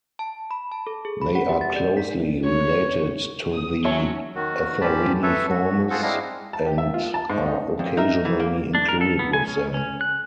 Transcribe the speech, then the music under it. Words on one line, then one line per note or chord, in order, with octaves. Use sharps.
They are closely related to the Atheriniformes and are occasionally included with them.
A5
B5
A5
A4
G#4
B5
F#5
G4
A6
D5
B6
C#5
D#6
F#3 C#4 C#5 E5 A5 C#6
D#3 F#4
A#2 C#4 G4 A5 B5
A4 B4 C#5 E5
F#4
F4 F#4 G#4 A4 C5 F#5
G#3 C4 D4 E4 D#5 F5
A5
G4
E5
F4
A5
G#2
D#4
F2
D#4 A#4 E5
E3
A#3
D4
A#4
A4
B3
G#5
C#4
C#4
F#6